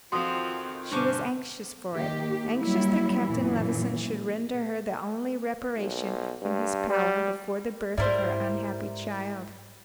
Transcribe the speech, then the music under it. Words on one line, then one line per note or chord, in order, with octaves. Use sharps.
She was anxious for it--anxious that Captain Levison should render her the only reparation in his power before the birth of her unhappy child.
F2 D#3 F3 C4 F#4 C6 D#6
G2 B2 D3 C#4 C5 C#6 D6
D#3 A#3 G4
F#3 G3 A#3 E4
F#2 A#2 E3
B1
G2
G3
G#2 G3 E4 A#4 C5 D5 E5